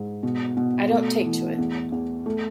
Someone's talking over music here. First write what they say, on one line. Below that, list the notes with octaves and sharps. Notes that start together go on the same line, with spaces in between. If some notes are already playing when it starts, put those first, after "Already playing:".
I don't take to it.
Already playing: G#2
B2
B2
A3
E3
E2
E2
A3